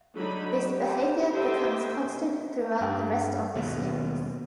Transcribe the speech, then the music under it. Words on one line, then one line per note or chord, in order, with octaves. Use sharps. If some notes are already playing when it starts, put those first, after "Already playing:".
This behavior becomes constant throughout the rest of the series.
D3 F#3 D#4 B5
G4
G4 A4 C5 D#5 E5 G5
G2
D#2 B2